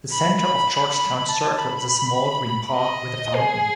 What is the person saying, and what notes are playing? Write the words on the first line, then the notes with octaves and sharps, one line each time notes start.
The center of Georgetown's circle is a small green park with a fountain.
B5
B5
B5
A5
B5
D#5
G#4